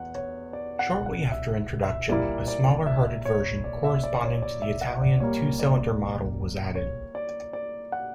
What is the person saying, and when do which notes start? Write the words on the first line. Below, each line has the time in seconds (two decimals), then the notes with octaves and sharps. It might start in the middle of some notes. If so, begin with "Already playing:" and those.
Shortly after introduction, a smaller-hearted version corresponding to the Italian two-cylinder model was added.
Already playing: E2 F#5
0.15 C#5
0.53 D5
0.79 F#5
1.06 F#5
1.32 E5
1.83 E5
2.09 A#2 G3 A#3 E4 D5
2.48 D5
2.86 E5
3.25 C#5
3.64 D5
3.84 E5
4.04 D5
4.24 C#5
4.42 D5
4.62 E5
4.81 F#5
5.01 D5
5.20 A#2 G3 A#3 C#5
5.59 D5
6.75 C#5
7.15 D5
7.53 D5
7.92 F#5